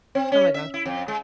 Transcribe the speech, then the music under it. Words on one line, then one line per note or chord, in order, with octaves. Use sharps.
Oh my gosh.
C4
C#4
E5
E4
F2
G#3